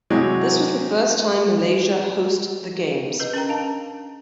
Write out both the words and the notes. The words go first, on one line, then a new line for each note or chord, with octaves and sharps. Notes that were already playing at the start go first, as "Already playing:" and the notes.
This was the first time Malaysia host the games.
C3 E3 F#3 G#3
G#4 B4 D#5
C#4 A#4 G5 A#5
D4 F5 A5